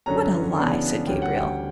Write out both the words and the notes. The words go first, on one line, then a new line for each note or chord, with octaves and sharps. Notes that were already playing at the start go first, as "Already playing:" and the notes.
"What a lie!" said Gabriel.
F#2 D3 F#3 C#4 A#5
C#3 E3 B3 D4
D2 D3 G3 C#4 G5
F#5
G5